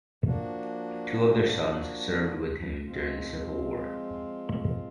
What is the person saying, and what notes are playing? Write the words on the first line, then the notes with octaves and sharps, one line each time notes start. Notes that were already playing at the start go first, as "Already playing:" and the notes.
Two of their sons served with him during the Civil War.
F3 A#3 D4 F#4
F3 G#3 C4 F4